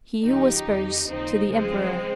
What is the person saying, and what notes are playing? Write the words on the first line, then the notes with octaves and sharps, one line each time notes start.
He who whispers to the emperor.
C#2 C#3 F3 D#4 G4
F2 D#3
D#2 C#3 F3 C4 D#4
C#2 C#3 F3 G#3 C4